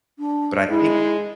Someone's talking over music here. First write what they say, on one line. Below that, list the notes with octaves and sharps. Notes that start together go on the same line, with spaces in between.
But I think
D4
G#3 E4